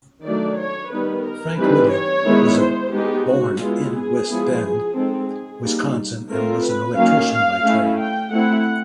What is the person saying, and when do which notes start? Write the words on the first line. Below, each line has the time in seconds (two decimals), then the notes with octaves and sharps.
Frank Weddig was born in West Bend, Wisconsin and was an electrician by trade.
0.24 D#3 F#3 A3 D4 D5
0.58 C#5
0.92 D#3 G3 B3 D#4 B4
1.26 A#4
1.59 E3 G3 C4 D#4 B4
1.92 C#5
2.26 D#3 G#3 B3 E4
2.60 C5
2.93 G#3 B3 D#4 G4
3.28 F#4
3.61 G#3 B3 E4 F4
3.95 G#4
4.29 F3 G#3 B3 E4
4.96 G#3 C4 D#4 A4
5.29 G#4
5.63 G3 A#3 D#4
6.30 A3 C4 F4 A#4
6.64 B4
6.97 D#3 F#3 A#3 C#4 F5
7.31 F5
7.65 A3 C#4 E4
7.99 G5
8.31 A3 C4 E4 F#5